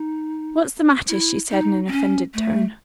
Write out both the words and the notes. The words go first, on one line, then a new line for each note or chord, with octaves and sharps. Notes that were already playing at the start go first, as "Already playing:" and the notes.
"What's the matter?" she said in an offended tone.
Already playing: D#4
E4
D#4
C4
C#4
A3